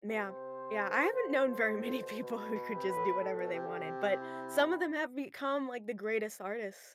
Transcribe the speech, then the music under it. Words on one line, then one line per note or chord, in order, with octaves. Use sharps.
Yeah. Yeah, I haven't known very many people who could just do whatever they wanted, but some of them have become, like, the greatest artists
C3
B2
C3 C5
E3
D3
E3
B2
A2
A2
B2
B2 B4
B2
C3
B2 B4
A2
B2
A2 A4
B2
C3 G4
D3
C3
E4